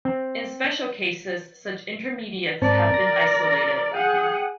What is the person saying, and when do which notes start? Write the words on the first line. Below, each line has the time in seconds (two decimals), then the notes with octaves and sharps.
In special cases, such intermediates have been isolated.
0.05 C4
2.62 G#2 C4 A#4 D5 A5
2.94 A#6
3.94 G#4 F#5 G5 D#6